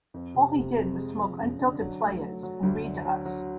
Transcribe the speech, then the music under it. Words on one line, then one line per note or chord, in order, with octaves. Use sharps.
All he did was smoke unfiltered Player's and read to us.
F2
C3
C3
F2
G#3
F3
F#2
D3
F#3
A3
F#3
F#3
D2
D3
F#3
F#3